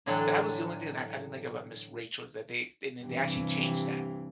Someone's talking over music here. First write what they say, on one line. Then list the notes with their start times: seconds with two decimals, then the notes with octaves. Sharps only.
That was the only thing that I didn't like about Ms. Rachel is that they and then they actually changed that
0.06 A2 D3 E3 F#3 D4 G5
3.04 G2 C3 E3